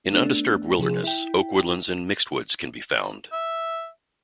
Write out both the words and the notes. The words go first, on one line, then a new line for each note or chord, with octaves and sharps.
In undisturbed wilderness, oak woodlands and mixed woods can be found.
A3 B3 D4
C3 F3 G#4
E4 G5
E5